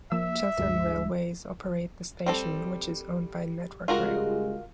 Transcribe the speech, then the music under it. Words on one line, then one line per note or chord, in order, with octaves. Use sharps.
Chiltern Railways operate the station, which is owned by Network Rail.
F3 A#3 E5 E6
D2 G2 G#3
G3 C4 A4
C#2 G3 G#3 F4 F#4 A#4